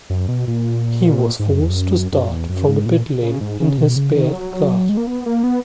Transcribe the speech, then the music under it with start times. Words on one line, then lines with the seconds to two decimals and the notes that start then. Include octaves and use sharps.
He was forced to start from the pit lane in his spare car.
0.10 F#2
0.28 B2
0.47 A#2
1.39 G#2
1.50 F#2
1.60 E2
1.69 F#2
2.12 F#2
2.30 E2
2.49 F#2
2.68 G#2
2.85 A#2
3.22 C#3
3.41 G#2
3.60 C#3
3.78 B2
3.96 C#3
4.15 D#3
4.33 F#3
4.89 G#3
4.97 A#3
5.07 B3
5.26 A#3
5.43 B3